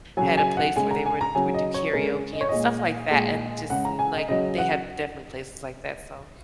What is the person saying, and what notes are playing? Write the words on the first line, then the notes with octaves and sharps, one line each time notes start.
had a place where they would would do karaoke and stuff like that, and just, n like, they had definitely places like that, so
C#3 F#3 G#5
G#5
F#5
C#3 G#3 G#5
A#5
G#5
A#5
C#3 F#3 G#5
D#5
C#5
C#3 G#3 A#4
D#5
C#5
A#2 G#3 D#5
A#2 G#3
C#3 G#3 F#5
A#5
G#5
D#5
C#3 F#3 D#5
F#5